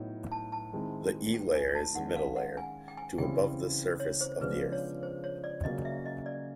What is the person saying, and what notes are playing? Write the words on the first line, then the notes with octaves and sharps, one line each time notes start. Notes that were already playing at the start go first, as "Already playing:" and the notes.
The E layer is the middle layer, to above the surface of the Earth.
Already playing: A2 F#3 B3 D#4
A5
A5
D#3 G#3 C4 E4
G5
G#5
A5
D#3 G#3 C#4 F#5
F5
F#5
G#5
G5
G#5
C#3 E3 G3 C4 E4 G5
C#5
C5
C#3 F3 G#3 B3 D4 B4
C#5
C5
C#5
D5
C#3 F#3 A#3 C#4 D#5
E5
D#5
D5